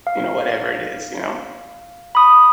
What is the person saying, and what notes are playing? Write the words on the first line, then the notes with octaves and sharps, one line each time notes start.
you know, whatever it is, you know?
F5
B5 D#6